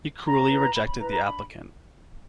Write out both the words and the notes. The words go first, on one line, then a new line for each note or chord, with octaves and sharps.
He cruelly rejected the applicant.
C#4 A#5
E4 B4
C#4 B5
B5
E4 B4 A#5
A#5
D4 B5